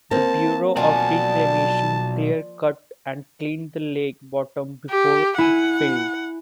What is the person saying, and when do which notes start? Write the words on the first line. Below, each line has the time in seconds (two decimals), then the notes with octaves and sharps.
The Bureau of Reclamation clear cut and cleaned the lake bottom before it filled.
0.11 A#3 C4 A5
0.77 B1 F3 F#4 D5 G#5 A5
4.91 G4
5.38 E4 F#5 G#5